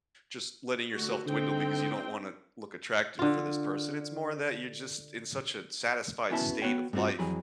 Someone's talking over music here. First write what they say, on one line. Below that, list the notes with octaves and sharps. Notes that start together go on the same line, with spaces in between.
just letting yourself dwindle because you don't want to look attractive for this person. It's more that you're just in such a satisfied state of life
D3 A3 F#4
D3 C4 D#4 G5
D3 F4
B3 C#4 E4 F#4 E5 A5
B3 F#4 C#5 G5
G2 A3 C4 F4 F#4
F2 E3 F#3 G#4 B5